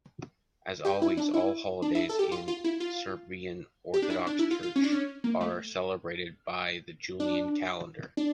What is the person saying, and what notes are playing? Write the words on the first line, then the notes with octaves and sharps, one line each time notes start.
As always, all holidays in Serbian Orthodox Church are celebrated by the Julian calendar.
G4
E4
D4
E4
D4
E4
A4
G4
F4
F4
E4
F4
G4
D4
E4
D4
E4
F4
F4
C#4
D4
C#4
A#3
A3
D4
D4